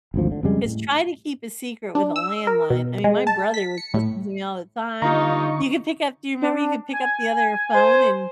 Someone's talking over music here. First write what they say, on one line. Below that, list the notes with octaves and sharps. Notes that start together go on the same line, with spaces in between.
Just try to keep a secret with a landline, I mean, my brother was listening to me all the time. You could pick up do you remember you could pick up the other phone and
G#1 D2 F3
D3
F2 C#3 G3 G#3
A2
D4
E6
A#4
B2
G#3
A5
B6
C#7
A2
D3 G3 A#3 D#4 F4 A#5 C#6
D4
G#5
C5